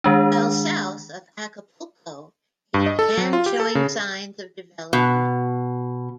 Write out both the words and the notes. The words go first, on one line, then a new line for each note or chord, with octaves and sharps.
While south of Acapulco, it began showing signs of development.
D#3 G#3 D4
G2
D#5
A4
F#3
F4
G4
A4
C#3
B2